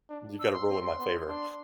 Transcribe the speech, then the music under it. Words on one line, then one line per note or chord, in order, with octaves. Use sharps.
you gotta rule in my favor."
D4
D4 E6
C6
C4 C6
C6
B3
D4 C6